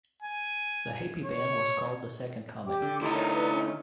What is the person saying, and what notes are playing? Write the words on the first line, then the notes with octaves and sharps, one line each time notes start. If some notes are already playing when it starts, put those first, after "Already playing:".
The hippy band was called the "Second Coming".
G#5
C#5
G4 G5 D6
D3
D3 A3 D#4 E4 D#5 C6
A#4 C#5 D5
B4 D5
C#4